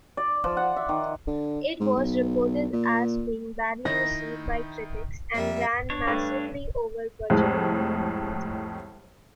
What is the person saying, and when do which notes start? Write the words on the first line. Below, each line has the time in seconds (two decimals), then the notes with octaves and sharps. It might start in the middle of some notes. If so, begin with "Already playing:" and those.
It was reported as being badly received by critics and ran massively over budget.
0.17 D5
0.44 F3
0.57 F#5
0.76 E5
0.89 D#3
1.27 D3
1.80 G#2
1.96 B1
2.73 A#2
3.85 D#3 D#4 E4 A#6
5.34 F2 G3 A#3 E5
5.90 D4 C#5
6.07 G2 A3 B4
7.30 C2 F2 A2 G#3